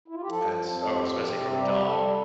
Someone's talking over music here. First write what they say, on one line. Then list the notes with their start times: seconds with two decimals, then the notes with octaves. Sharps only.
and s or especially from a dog,
0.08 E4
0.14 F4
0.22 G4
0.29 F3 A4
0.60 F2
0.91 C4 G4
1.23 C3
1.54 G3 G4
1.86 G3 A4